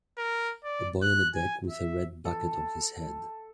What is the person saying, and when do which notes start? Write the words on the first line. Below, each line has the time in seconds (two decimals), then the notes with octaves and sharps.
A boy on a deck with a red bucket on his head.
0.18 A#4
0.64 D5
1.02 F#6
1.35 G#5
1.70 E5
2.25 A4